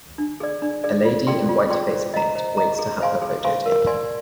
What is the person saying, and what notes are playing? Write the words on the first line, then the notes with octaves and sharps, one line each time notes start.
A lady in white face paint waits to have her photo taken.
D4
G#4 D5
D4
G#4 D5
F4
G#4 D5 G5 C6
F4
G#4 D5 G5 C6
C5
D#5 A#5
C5
D#5 A#5
G#4
C5 F5 G#5 C6
G#4
C5 F5 G#5 C6
A#4
D5 G#5 C6